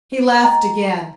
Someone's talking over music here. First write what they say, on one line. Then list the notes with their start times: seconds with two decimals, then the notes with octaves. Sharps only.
He laughed again.
0.12 C5
0.44 D#5 G5 A#5